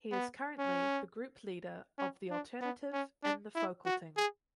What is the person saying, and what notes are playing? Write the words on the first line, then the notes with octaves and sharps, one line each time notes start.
He is currently the group leader of The Alternative in the Folketing.
B3
C#4
C#4
D4
B3
C#4
D4
E4
F#4
G#4